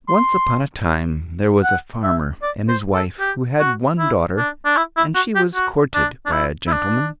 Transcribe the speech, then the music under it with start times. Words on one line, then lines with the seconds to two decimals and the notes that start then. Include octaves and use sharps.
Once upon a time there was a farmer and his wife who had one daughter, and she was courted by a gentleman.
0.09 C6
1.64 F#5
2.03 E5
2.42 D5
2.69 C5
2.94 A4
3.20 G4
3.60 F#4
3.98 E4
4.37 D4
4.65 D4
4.77 E4
4.97 E4
5.15 F#4
5.35 G4
5.55 F#4
5.94 D4
6.26 D4
6.32 E4
6.67 E4
6.72 D4